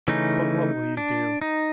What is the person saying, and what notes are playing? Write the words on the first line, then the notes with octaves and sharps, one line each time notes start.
"But what will you do?"
C#3 E3 A3 C#4 D#4
D4
D#4